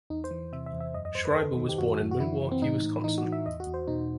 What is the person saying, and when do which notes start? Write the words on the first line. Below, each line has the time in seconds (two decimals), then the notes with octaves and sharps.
Schreiber was born in Milwaukee, Wisconsin.
0.10 E2 D#4
0.24 C5
0.31 E3
0.53 C3 E5
0.66 E5
0.73 E2
0.81 E5
0.94 F#2 D#5
1.05 D#5
1.15 F#2 C5
1.25 B4
1.36 D#3 A4
1.57 D#3
1.69 G4
1.78 F#2 F#4
2.00 F#2
2.11 F#4
2.20 E3 E4
2.42 E3
2.52 C4
2.62 A2 D#4
2.83 A2
3.04 E3 D#4
3.18 F#4
3.25 E3
3.32 E5
3.46 E2 D#5
3.60 F#4
3.67 E2
3.74 C5
3.88 B2 D#4